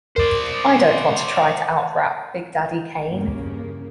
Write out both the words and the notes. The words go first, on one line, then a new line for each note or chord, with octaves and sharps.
I don't want to try to out-rap Big Daddy Kane.
A#4 C5 D5
E2 G2 C#3 A#3